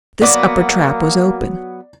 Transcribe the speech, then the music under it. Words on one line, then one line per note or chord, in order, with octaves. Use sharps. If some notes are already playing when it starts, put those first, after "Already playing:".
This upper trap was open.
F#3 A#3 B3 F#4 D5 D6